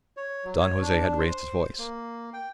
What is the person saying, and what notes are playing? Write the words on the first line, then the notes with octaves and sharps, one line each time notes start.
Don Jose had raised his voice.
C#5
F#3
C#5
D4
C5
A#3
G5